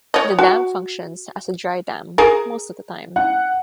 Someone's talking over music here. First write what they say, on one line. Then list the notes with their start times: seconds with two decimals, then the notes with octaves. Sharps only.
The dam functions as a dry dam most of the time.
0.14 C#5 D#5
0.39 F#4
2.18 G#4 A#4
3.16 F#5